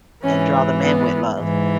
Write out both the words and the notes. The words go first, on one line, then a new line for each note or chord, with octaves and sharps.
And draw them in with love.
G#2 E3 C#4
B3
G#2 E3